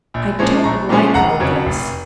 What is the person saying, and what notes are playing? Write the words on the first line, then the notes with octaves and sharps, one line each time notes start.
I don't like all this.
A#1
A#2 F3 G#3 C#4
A#1 A#5 C#6
A#2 F3 G#3 C#4
F1 F#5 A#5
F2 C#3 F#3 C#4
F1